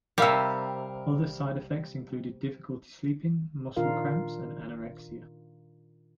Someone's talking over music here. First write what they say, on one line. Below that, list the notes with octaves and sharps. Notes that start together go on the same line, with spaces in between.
Other side effects included difficulty sleeping, muscle cramps and anorexia.
C3 G3 A#4 F5 E6
A#2 D#3 D4 F4 A#4 F5